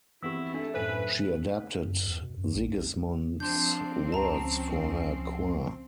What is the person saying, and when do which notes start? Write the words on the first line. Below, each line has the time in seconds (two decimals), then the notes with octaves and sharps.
She adapted Sigismund's words for her choir.
0.23 E3 B3 C4 E4 G4 E6
0.54 A3 D4
0.74 F#2 A2 A4 B4 C5 G#5
1.85 F#2
2.07 E2
2.23 B2
2.37 F#2
2.55 A#1
3.40 F3 C4 D4 C6 G6
4.12 C#2 C#4 A5 A#5